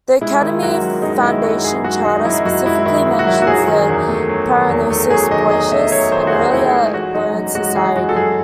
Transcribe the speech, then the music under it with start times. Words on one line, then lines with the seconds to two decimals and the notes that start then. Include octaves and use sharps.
The Academy's foundation charter specifically mentions the Parnassus Boicus, an earlier learned society.
0.21 G#3 E4
0.41 D#3
0.62 F#2 F#4
0.82 F#2
1.02 G#3 D#4
1.23 D#3 E4
1.43 F#2 F#4
1.63 F#2 G#4
1.84 G#3 F#4
2.04 D#3 D#4
2.17 D#4
2.25 F#2 E4
2.45 F#2 F#4
2.66 G#3 E4
2.86 D#3 E4
3.06 F#2
3.19 F#4
3.27 F#2 E4
3.42 F#4
3.47 F#3 G#4
3.68 D#3
3.89 E2
4.09 A3
4.29 F#3
4.50 D#3
4.70 E2
4.90 A3
5.10 F#3 G#4
5.31 D#3 D#5
5.51 E2 D#5
5.72 A3 E5
5.92 F#3 C#5
6.12 D#3 C5
6.27 F#4
6.32 E2 G#4
6.53 A3 E4
6.73 G#3
6.94 E3 F#4
7.14 F#2 D#4
7.35 F#2
7.55 G#3 F#4
7.75 E3 G#4
7.96 F#2 F#4
8.09 A4
8.16 F#2 G#4